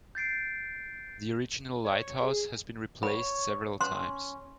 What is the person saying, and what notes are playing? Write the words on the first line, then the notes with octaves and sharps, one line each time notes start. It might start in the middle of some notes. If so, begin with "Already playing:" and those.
The original lighthouse has been replaced several times.
G6 A6 C7 D7
C#5
G#4
C#5 B5
C#4 C6